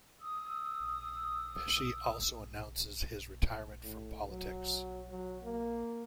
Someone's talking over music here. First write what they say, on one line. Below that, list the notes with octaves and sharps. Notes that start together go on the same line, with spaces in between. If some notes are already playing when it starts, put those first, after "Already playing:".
Pesce also announces his retirement from politics.
D#6 E6
A2
F#3
F#3
A#3